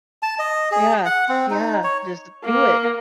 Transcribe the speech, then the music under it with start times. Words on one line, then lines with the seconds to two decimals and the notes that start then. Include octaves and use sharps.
Yeah. Yeah, just do it.
0.23 A5
0.39 D#5
0.71 G#4
1.05 F#5
1.29 C4
1.50 D#4
1.84 C#5
2.45 A#3